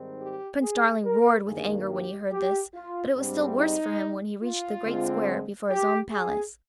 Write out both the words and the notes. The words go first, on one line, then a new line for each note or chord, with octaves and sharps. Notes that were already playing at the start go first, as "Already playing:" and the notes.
Prince Darling roared with anger when he heard this; but it was still worse for him when he reached the great square before his own palace.
Already playing: G#2 D#3 G3 C4
G4
G#4
A#4
G2 D#3 A#3 G#4
G4
G4
F4
G#2 G3 C4 D4
D#4
F4
D3 G#3 C4
G4
G#4